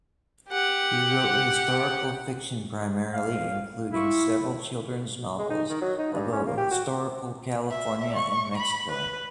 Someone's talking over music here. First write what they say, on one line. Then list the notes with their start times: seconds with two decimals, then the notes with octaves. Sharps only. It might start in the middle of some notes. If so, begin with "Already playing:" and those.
He wrote historical fiction, primarily, including several children's novels about historical California and Mexico.
0.49 G4 F#5
3.13 F5
3.93 E4 F4 G4 C#6
5.39 G#3
5.50 D#4
5.70 D#3
5.82 F#3
5.99 D#4
6.13 G2
6.33 C#4
6.46 A#3
6.58 G4
6.71 F#4
7.70 E5
8.15 C#6
8.57 B5
8.89 B4